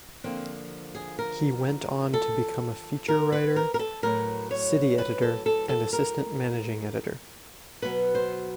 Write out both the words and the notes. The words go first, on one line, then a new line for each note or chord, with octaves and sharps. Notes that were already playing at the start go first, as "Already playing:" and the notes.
He went on to become a feature writer, city editor, and assistant managing editor.
D3 F3 A#3 C4
G#4
A#4
A4
A#4
B4
A#4
A#4
A4
A2 F#3 B3 A#4
C#5
B4
A4
A4
A4
A#4
B2 F#3 B3 B4
C5